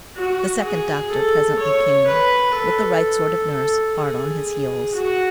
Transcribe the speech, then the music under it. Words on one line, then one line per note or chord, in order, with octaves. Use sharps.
The second doctor presently came, with the right sort of nurse hard on his heels.
F#4
G#4
A4
C#5
B4
A4
A4
G#4
F#4